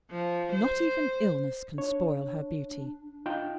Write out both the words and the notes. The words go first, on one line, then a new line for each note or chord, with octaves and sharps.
"Not even illness can spoil her beauty!"
F3
C5
D4 C#5
D#4 F4 G5